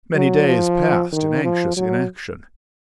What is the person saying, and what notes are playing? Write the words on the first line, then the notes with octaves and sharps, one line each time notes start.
Many days passed in anxious inaction.
F#3
F3
D#3
F3
F#3